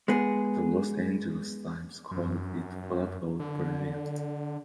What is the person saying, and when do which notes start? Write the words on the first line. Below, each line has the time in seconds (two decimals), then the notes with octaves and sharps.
The "Los Angeles Times" called it "flat out brilliant".
0.08 G#3 B3 G#4
2.11 F#2
3.40 D3